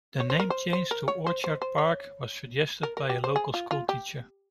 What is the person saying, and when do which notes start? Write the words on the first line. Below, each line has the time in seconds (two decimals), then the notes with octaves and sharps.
The name change to "Orchard Park" was suggested by a local schoolteacher.
0.20 C#5
0.30 C5
0.40 A#4
0.50 C5
0.73 C5
0.91 A#4
1.08 C#5
1.26 C5
1.44 C5
1.62 C5
1.78 C#5
2.83 A#4
2.97 A#4
3.10 G4
3.24 C5
3.36 G#4
3.54 F4
3.71 F4
3.89 G4